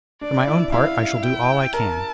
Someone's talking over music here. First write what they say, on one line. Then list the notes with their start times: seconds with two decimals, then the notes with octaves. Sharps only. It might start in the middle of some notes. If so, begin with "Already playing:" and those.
For my own part, I shall do all I can.
0.21 D4 D5
0.47 E4
0.72 E4 F5
1.22 G5
1.73 A#4 A5